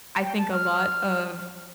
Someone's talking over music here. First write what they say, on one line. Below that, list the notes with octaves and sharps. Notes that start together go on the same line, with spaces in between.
I think a lot of
G5
A5
F6